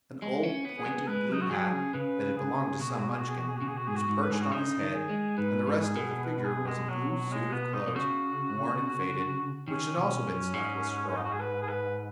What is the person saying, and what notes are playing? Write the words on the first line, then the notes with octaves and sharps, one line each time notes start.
An old, pointed blue hat, that had belonged to some Munchkin, was perched on his head, and the rest of the figure was a blue suit of clothes, worn and faded, which had also been stuffed with straw.
G#3
C#4
B3
G#4
B3
B3
G#3 B4
F#3 D#4
F#4
F#3 G#4
C#3
C#3 B4
G#4
B2 F#4
G#4
F#4
G#4
F#4
G#4
F#4
G#4
C#3 F#4
B2 G#4
F#4
G#2 G#4
F#4
G#2
B4
G#2 G#4
F#4
C#3 D#4
D#3
G#4
G#3
G#2 B4
G#2
G#4
B2
B4
G#4
G#3
F#3
F#3
G#3
B3
D#4
B2
C#3 F#4
D#3 C#4
B2
F#2
G#2
C#4
D#4
F#4
G#4
B4
G#4
B4